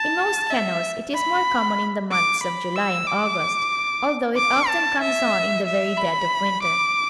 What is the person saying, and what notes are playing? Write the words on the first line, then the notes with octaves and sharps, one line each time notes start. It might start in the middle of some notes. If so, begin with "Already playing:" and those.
In most kennels it is more common in the months of July and August, although it often comes on in the very dead of winter.
Already playing: A5
E5
B5
D6
B5
E6
D6
D6
A5
E5
E5
B5
D6